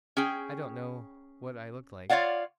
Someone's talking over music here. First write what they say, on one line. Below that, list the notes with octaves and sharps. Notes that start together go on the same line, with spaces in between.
I don't know what I looked like.
C#4 G#4 G5
F4 C#5 D5 F5 F#5